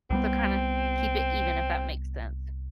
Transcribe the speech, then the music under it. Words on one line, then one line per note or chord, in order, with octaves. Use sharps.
So, kinda keep it even if that makes sense.
C2 G3 B3 C4